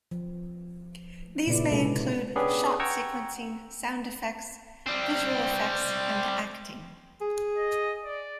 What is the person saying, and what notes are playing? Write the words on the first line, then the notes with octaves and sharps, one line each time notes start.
These may include shot sequencing, sound effects, visual effects and acting.
F3
A#2 C#3 B3 E4 D5
C3 G#3 A#3 D#4 A4 B4
B3 C#4 D4 G4 G#4 B4
F#5 G5 A#5 C#6 E6 G#6
G3 C4
G#4
D#5
D5